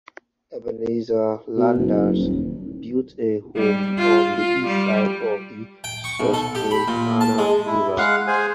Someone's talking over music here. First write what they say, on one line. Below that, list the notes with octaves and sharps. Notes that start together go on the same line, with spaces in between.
Ebenezer Landers built a home on the east side of the Susquehanna River.
B2
F#1
D#1
G3
F4
F4
G3
G5
C#6
B1
A4
G4
B5
A#2
A5
G#3
E4
G#3 F5 F#5
G#4 C5 G#5